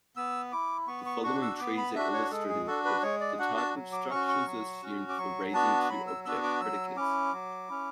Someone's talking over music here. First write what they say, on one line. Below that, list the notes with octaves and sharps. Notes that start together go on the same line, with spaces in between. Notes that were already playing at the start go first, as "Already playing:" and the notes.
The following trees are illustrative of the type of structures assumed for raising-to-object predicates.
B3 E6
E4 D6
B3 C#6
C#6
D4 F#4 C#6
E6
B3 D6
B5
D4 F#4 E5
C#5
G#3 A4
G#4
D4 F#4 A4
B4
G#3 C#5
D5
D4 F#4 F#5
A5
F#3
D6
C#4 F#4 C#6
C#6
F#3
C#4 F#4
D6
F#3 C#6
B3 D4 F#4 A5
F#3 B5
E6
B3 D4 F#4 E6
D6
F#3 E6
C#4 E4 D6
F#3
C#4 E4